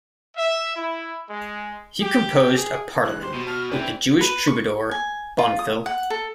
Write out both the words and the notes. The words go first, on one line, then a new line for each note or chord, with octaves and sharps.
He composed a "partimen" with the Jewish troubadour Bonfilh.
E5
E4
G#3
G4
G#4
D3 E3 G#3 F#6
G4 C5 C6
B2
A5 F6
E3 C4 D4 B4 G5
B4
C#6
G#5
F4
D#6
F#5
A4